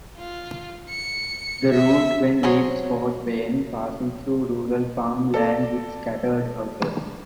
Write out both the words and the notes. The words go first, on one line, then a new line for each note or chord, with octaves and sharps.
The route then leaves Fort Wayne, passing through rural farm land with scattered houses.
F4
C#7
E5
F#3 G#4 C5 C#5
A4 D5